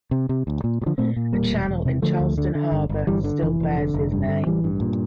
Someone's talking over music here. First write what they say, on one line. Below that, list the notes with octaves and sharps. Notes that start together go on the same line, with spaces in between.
A channel in Charleston Harbor still bears his name.
C3
C3
D2
A#2
A#2
D3 F3
A#2 A3 C4
A#2
E1 G3 A#3
E1
E1
C3
D3 F3 A3
D2
D3
D3
G1
G1
G1 E3 G3
D3
F1 E3
F1
D3
F1
G2
D3
A1 E3 G3
G2
A#2